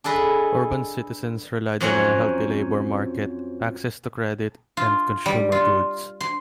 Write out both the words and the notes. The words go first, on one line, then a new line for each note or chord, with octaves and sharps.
Urban citizens relied on a healthy labor market, access to credit, and consumer goods.
D4 G#4 A4 B4 D#5
F2 F#3 C4 C#4 F#5 A#5
F4
G3
F4
C6